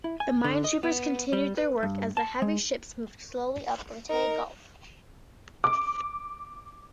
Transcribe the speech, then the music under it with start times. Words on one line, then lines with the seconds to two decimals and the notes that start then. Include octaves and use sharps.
The minesweepers continued their work as the heavy ships moved slowly up Leyte Gulf.
0.04 E4
0.20 G#5
0.44 D3
0.64 D#5
0.83 B3
1.33 G3
1.57 B4
1.83 G2
2.17 A5
2.42 G#3
4.09 D#4 A#4
5.64 D6